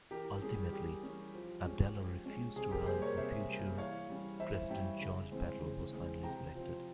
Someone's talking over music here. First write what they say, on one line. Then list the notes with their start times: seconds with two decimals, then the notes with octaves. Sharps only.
Ultimately, Abdala refused to run and future President Jorge Batlle was finally selected.
0.11 E3 G4 A#4
0.42 G3 C#4 G#4
0.72 E3 G4
1.03 G3 C#4
1.34 F3
1.64 G#3 C#4
1.95 F3
2.25 G#3 C#4
2.56 C3 G#4
2.71 G4 A#4
2.86 G3 A#3 G#4 C5
3.02 A#4 C#5
3.17 C3 C5 E5
3.47 G3 A#3
3.78 E3 C#5 F5
4.09 G3 C#4
4.39 E3 C5 E5
4.70 G3 C#4 E5 G5
5.01 C#3
5.31 E3 G#3 C4
5.62 C#3
5.93 E3 G#3 C4
6.23 C3 G5 A#5
6.54 F3 C4